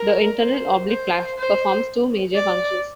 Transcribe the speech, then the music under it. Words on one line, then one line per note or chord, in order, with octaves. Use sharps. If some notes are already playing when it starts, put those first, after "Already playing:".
The internal oblique performs two major functions.
Already playing: A#4
C5
C5
C5
D5